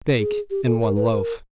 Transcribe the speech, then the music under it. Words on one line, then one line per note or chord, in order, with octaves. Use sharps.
Bake in one loaf.
G#4
G4
A4
A#4
B4
A#4